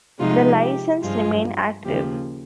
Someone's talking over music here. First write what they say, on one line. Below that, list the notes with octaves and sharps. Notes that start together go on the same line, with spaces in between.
The license remained active.
C3 F3 G#3 D#4 F4
G4
G2 F3 G#3 F4
D#2 C#3 F3 A#3 G4